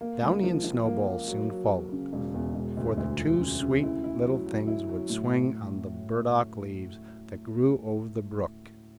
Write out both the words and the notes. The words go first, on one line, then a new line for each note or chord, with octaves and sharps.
Downy and Snowball soon followed; for the two sweet little things would swing on the burdock-leaves that grew over the brook.
A#3
C#2
F3
F3
A#3
A#3
F#3
F#3
F#3
C#3
E1
E2
E1
D2
D2
F3
C#3
C#3
E4
E4
F#3
F#3
E4
F#3
A2